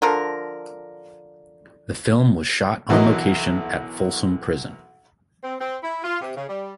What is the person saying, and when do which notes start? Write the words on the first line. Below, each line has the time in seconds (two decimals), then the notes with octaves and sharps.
The film was shot on location at Folsom Prison.
0.02 D3 F3 A#4
2.89 B1 E3 F#3 A#4 D#5
5.43 C4
5.60 C4
5.84 E4
6.04 F4
6.21 C3
6.37 C#3
6.48 G3